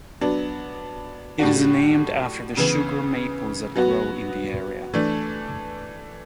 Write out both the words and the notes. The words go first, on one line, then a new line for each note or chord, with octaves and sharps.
It is named after the sugar maples that grow in the area.
F#3 B3 D4
A2 G3 D4 F#4
C#3 E3 B3
F#3 B3 F#4
E3 A3 D4